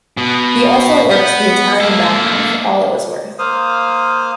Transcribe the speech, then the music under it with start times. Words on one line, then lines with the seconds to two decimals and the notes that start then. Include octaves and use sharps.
He also worked the Italian background for all it was worth.
0.17 B2
1.10 B3
1.80 A#3 A4
3.39 A#3 C5 F5 D#6